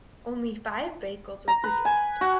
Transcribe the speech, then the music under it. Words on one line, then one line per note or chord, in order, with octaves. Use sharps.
Only five vehicles were produced.
A#5
B4
G#5
F#4